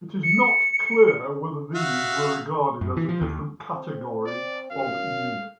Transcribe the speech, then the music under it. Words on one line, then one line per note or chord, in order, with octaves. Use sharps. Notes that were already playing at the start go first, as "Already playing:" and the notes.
It is not clear whether these were regarded as a different category of unit.
C#7
F#4 E5 F5
F#2
E3
F3
D#2
C4
D5
F#2 F5